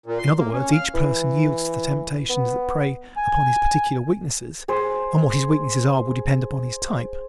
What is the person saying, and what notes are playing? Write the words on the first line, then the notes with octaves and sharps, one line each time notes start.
In other words, each person yields to the temptations that prey upon his particular weaknesses, and what his weaknesses are will depend upon his type.
A#2
C6
A#3
C#4
F5
E3
B3
G#5
G#4 C5